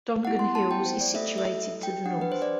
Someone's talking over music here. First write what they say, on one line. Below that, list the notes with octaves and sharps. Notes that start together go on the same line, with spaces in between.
Dongan Hills is situated to the north.
B3 E4 G4 F#5
C6
A5
G5
C5
D5
A3 E4 A4 E5
E5
G5
D4 G4 F#5
B4
C5
D5